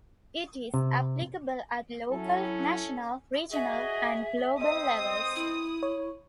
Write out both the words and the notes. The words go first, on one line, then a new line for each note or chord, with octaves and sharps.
It is applicable at local, national, regional and global levels.
C3
F#3 C#4 E4 A4
F#4 G#4 D#5 E5
C4 C5 D#5 D#6
E4
C#5